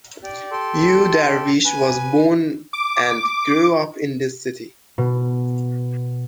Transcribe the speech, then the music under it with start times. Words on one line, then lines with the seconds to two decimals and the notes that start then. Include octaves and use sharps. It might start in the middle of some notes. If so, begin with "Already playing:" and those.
Yu Darvish was born and grew up in this city.
0.23 G4 D5
0.51 G4 A4 C6
1.65 B4 G#5
2.73 D6
4.98 B2